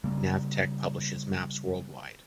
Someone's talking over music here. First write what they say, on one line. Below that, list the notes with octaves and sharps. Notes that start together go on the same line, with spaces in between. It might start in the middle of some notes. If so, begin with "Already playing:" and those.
Navteq publishes maps worldwide.
C#3 G3 A#3